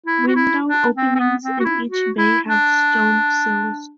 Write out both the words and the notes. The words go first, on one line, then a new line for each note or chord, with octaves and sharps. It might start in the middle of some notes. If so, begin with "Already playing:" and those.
Window openings in each bay have stone sills.
E4
F#4
E4
D4
C4
C4
B3
C4
F#4
E4
F#4
E4
D4